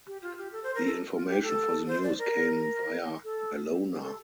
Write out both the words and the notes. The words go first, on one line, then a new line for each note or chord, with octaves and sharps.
The information for the news came via "Bellona".
G4
F4
G4
A4
C5
A#4
A4
F4
G4
A4
C5
D5
A#4
A4
G4
G4
A4